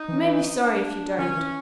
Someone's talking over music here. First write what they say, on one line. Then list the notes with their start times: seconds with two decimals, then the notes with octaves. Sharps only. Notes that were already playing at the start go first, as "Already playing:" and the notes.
"You may be sorry if you don't."
Already playing: D#4
0.08 E3
0.63 D4
1.18 D#3 C#4
1.37 E3